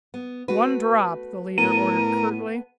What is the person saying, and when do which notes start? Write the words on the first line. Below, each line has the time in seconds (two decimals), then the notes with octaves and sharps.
"One drop!" the leader ordered curtly.
0.14 B3
0.48 A3 F#4 B4
1.58 A2 B3 A4 A#4 D#7